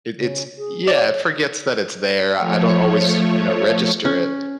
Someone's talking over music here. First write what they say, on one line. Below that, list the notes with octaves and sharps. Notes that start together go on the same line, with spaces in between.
it it's yeah, it forgets that it's there, I don't always, you know, register it.
C#3
G#4
C#5 D5
F3 A3 C#5
C#4